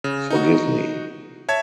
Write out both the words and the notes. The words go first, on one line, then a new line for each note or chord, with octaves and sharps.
Forgive me.
C#3
D#4 F#4
C#5 E5 A5 G#6